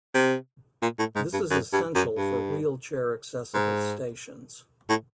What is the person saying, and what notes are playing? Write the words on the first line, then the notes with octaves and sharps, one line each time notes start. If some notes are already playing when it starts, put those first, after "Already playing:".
This is essential for wheelchair accessible stations.
C3
A#2
A2
G#2
G2
F#2
G2
F#2
G2
G#2
A2